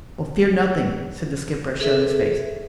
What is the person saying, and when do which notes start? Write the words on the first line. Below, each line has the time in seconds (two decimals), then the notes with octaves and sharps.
"Oh, fear nothing," said the skipper, showing his face.
1.80 G#4 A4 B4 E5